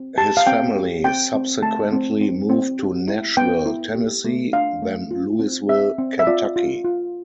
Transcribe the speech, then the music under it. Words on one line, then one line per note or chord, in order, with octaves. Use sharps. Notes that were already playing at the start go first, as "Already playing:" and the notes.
His family subsequently moved to Nashville, Tennessee, then Louisville, Kentucky.
Already playing: C4
G4 A5
F5
C4 G5
G4
C4 G5
C4
A3 A5
C4
C4
C4
G4
E4
B3 G5
E4
G4
A3
D4 F5
A3
F4
C4
C4 E5
C4
E5
F4 D5
F4
F4